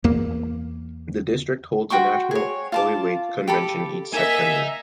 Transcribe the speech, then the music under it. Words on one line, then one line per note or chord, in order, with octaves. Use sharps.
The district holds a national oiwake convention each September.
E2 A#3
F#4 G5 C6 C#6
G#4 C#5
F4 A5 D6
G4 A4 B5
A#3 D#4 D#5 E5 G#5